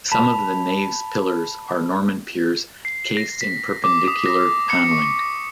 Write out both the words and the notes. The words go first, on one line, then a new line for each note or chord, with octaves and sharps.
Some of the Nave's pillars are Norman piers cased in Perpendicular panelling.
A5 B5 B6 F7
C7
A#6
B6
D6
D#6
A#6
C#7
C#6
A#6